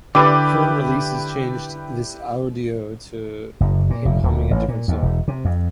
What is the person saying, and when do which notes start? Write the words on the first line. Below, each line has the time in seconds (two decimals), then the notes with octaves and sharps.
Current releases changed this audio to him humming a different song.
0.15 D3 E4 G4 B4 D5 D6
3.60 F#1
3.90 A#2
4.05 F1
4.23 D1
4.51 A1
4.68 A#2
4.88 D#2
5.02 E1
5.28 C3
5.45 F2